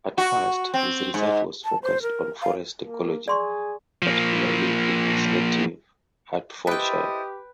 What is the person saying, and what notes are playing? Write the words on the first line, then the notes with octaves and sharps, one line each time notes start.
At first, his research was focussed on forest ecology, particularly in his native Hertfordshire.
F#4
C4
G#2
A5
C5
A#4
F5
A#3
G#4 D5 C6 C#6
F3 A#3
E4 G4 A4 B4 C5 D#5 G5